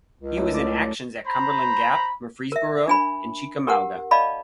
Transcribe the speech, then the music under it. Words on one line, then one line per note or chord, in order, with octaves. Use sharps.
He was in actions at Cumberland Gap, Murfreesboro, and Chickamauga.
C#2
F#2 A2
D5
C5 A#5 B5
A#4 E5
D4 G#5 B5
G4 A#4 F#5
D5 D#5 F5 A5 B5 D6